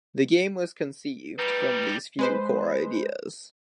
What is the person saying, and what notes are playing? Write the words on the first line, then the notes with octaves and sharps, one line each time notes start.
The game was conceived from these few core ideas.
G3 D#4 B4
G#3 B4 C5